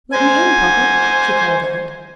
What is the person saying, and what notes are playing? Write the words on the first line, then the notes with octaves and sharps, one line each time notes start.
"Let me in, papa," she called out.
C5 G#5